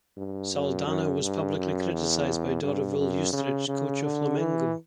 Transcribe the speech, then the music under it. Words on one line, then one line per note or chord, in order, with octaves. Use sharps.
Saldanha was publicly criticised by Dorival Yustrich, coach of Flamengo.
G2
F#2
F#2
G2
F#2
E2
G2
F#2
C#3
C#3
D3
E3